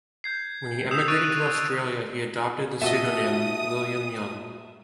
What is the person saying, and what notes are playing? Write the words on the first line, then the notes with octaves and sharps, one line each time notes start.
When he emigrated to Australia he adopted the pseudonym William Young.
G6 G#6 C7
D#6 E6 G6 C7 E7 F7
C#6 D#6 F#6 A6 D7 D#7
A#2 F#4 A4 D#5 E5 D#6